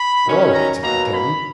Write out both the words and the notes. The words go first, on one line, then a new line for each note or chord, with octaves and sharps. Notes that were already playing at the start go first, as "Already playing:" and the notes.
At all events, I can tell you.
Already playing: B5
D#3 F#3 C#4
A#5
B2 F#3 A#3 A#5
B5